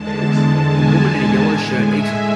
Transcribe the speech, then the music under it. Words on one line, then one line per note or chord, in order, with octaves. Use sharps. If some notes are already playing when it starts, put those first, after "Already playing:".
A woman in a yellow shirt eating.
Already playing: E2 D3 G#3 A5
G#5
G#5
A2 G#3
E5